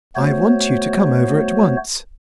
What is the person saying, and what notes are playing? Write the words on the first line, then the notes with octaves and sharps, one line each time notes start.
"I want you to come over at once."
A3 B3 F#4 C5 C#5